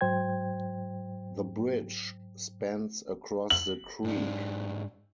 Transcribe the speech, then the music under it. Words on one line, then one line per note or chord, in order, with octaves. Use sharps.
The bridge spans across the creek.
G#2 F#3 C5 G5 G#6
F#7
G#2 D4